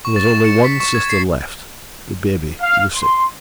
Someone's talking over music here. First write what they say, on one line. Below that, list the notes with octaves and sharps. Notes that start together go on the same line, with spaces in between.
There was only one sister left, the baby, Lucy.
C#6
A6
E7
C#7
B6
C#6
G#6
C7
F5
C6